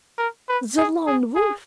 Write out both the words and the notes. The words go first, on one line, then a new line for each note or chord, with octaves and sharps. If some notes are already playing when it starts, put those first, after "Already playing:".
"The Lone Wolf!"
A#4
B4
G#4
G#4
G#4